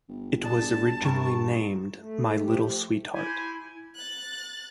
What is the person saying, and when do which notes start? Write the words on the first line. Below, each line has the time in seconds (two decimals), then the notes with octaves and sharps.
It was originally named "My Little Sweetheart".
0.09 G1
0.43 D4 G#4 A5
1.02 G2 A#4 C#6
2.00 A3
2.43 F3 A3 G4
3.14 E4 G4 C5 G#5
3.96 F#6 A6